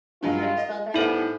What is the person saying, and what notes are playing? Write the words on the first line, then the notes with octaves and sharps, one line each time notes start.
How do you spell that?
G2 D#3 F#3 G#3 F4
D#5
A2 G3 A3 B3 D#4 A4 C5